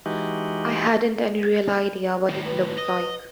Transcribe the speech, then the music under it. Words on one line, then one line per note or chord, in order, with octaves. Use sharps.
I hadn’t any real idea what it looked like.
E3 G#3 D#4 F#4 G4
A2 D#3
B4
D#5